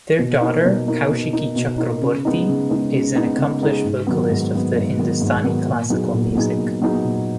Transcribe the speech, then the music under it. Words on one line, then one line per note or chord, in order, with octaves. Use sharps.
Their daughter, Kaushiki Chakraborty is an accomplished vocalist of Hindustani classical music.
B2
A#3 D#4
B2
A#3 D#4
B2
A#3 D#4
B2
A#3 D#4
C#3
G#3 B3 D#4 G#4
C#3
G#3 B3 D#4 G#4
C#3
G#3 B3 D#4 G#4
C#3
G#3 B3 D#4 G#4
G#2
D#3 F#3 B3
G#2
D#3 F#3 B3
G#2
D#3 F#3 B3
G#2
D#3 F#3 B3
A#2
F#3 B3 D#4 G#4
A#2
F#3 B3 D#4 G#4
A#2
F#3 B3 D#4 G#4
A#2